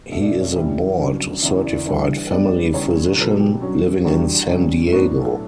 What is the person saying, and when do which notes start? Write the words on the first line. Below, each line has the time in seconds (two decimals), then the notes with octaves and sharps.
He is a board-certified family physician, living in San Diego.
0.12 B2 A3 D4 E5
0.21 D5
0.26 E5
0.40 C#5
0.55 G2 E3 G3 C#4 E5
0.99 G2 F#3 C#4
1.42 E2 C#3 E3 E5
1.65 D5
1.86 G2 E3 G3 D4 E5
2.30 D3 G3 B3 D4 D5
2.74 E2 C#3 G3 C#5
3.17 B2 F#3 B3 A4
3.39 G4
3.61 G2 F#3 C#4 F#4
4.05 E2 D3 G3 D4 F#4
4.49 C#3 G3 C#4
4.86 E4
4.92 A2 F#3 B3 D4 F#4
5.07 F#4
5.22 A4